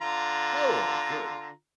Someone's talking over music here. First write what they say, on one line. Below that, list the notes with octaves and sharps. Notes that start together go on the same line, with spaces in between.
Oh, good.
D3 F4 A#5